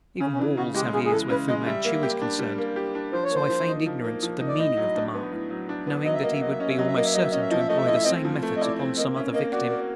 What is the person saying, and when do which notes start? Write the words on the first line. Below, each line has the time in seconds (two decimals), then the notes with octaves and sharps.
Even walls have ears where Fu-Manchu is concerned, so I feigned ignorance of the meaning of the mark, knowing that he would be almost certain to employ the same methods upon some other victim.
0.20 C#3 C#4
0.33 C#4
0.39 E3 D4
0.57 C#3 F#4
0.75 G#3 G4
0.93 C#3 G#4
1.05 G#4
1.12 E3 A4
1.29 C#3 B4
1.48 G#3 D#5
1.66 G3 E5
1.85 A#3
2.03 G4
2.22 D4
2.39 G3
2.58 A#3
2.76 G4
2.95 D4
3.13 F3 C5
3.24 C#5
3.31 A#3 C5
3.49 F3
3.68 D#4
3.86 F3
4.04 A#3
4.23 F3
4.41 D#4
4.48 D5
4.59 A2 D#5
4.77 F#3
4.96 D4
5.14 B3
5.32 A2
5.50 F#3
5.69 D4
5.87 B3
6.05 F#3 D#5
6.14 E5
6.23 A#3 D#5
6.32 E5
6.41 F#3 D#5
6.50 E5
6.60 C#4 D#5
6.68 E5
6.78 F#3 D#5
6.87 E5
6.96 A#3 D#5
7.04 E5
7.14 F#3 D#5
7.22 E5
7.31 C#4 D#5
7.41 E5
7.50 F3 D#5
7.58 E5
7.68 A3 D#5
7.77 E5
7.86 E4 D#5
7.95 E5
8.04 C4 D#5
8.25 F3
8.43 A3
8.57 D#5
8.61 E4 D5
8.79 C4
8.98 A#3 D#5
9.16 C#4 E5
9.34 A#3 D#5
9.52 F#4 D5
9.70 A#3